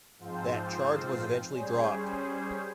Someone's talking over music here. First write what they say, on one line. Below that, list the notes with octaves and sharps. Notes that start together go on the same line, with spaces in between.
That charge was eventually dropped.
G#2 F3 C4 F4 C5
G3 C#4 G#4 C5